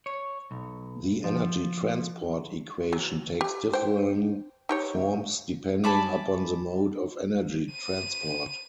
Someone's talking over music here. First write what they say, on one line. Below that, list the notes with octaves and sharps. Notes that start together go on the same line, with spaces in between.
The energy transport equation takes differing forms depending upon the mode of energy transport.
C#5
B1
F3
F#3
G4
C5 G5
D#4 G4 C#5
G#5 A5 B5 D6
D#7